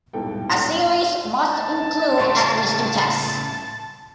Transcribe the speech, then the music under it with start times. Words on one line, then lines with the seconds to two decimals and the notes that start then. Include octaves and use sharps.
A series must include at least two Tests.
0.13 D#1 G#2 B2 E4 A4 G5
1.52 A5
2.19 A2 C#3 A#4 C5 C#5